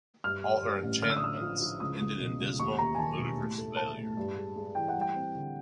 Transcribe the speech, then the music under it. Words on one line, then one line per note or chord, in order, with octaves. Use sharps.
All her enchantments ended in dismal and ludicrous failure.
G2 F6
G3
G2
A1
D3 F6
E6
D#6
D3 E6
F3
F3
C#2 D#6
C#2
B2
C#2
D#2 C#6
D#2 A#5
G#5
D#3 A5
E1
A2
A3
A3 A5
A2
G2
G#3
G#3
E3 G5
F#5
G3
G5
C4
D3